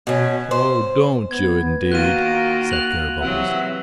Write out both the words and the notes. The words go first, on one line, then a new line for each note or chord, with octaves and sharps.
"Oh, don't you, indeed!" said Gobobbles.
B2 C#4
C5
B3 G#6
D#3 A#3 F4 F#4 F#6 D#7
F#6 F7 F#7
C3 E3 F#3 E5 F#5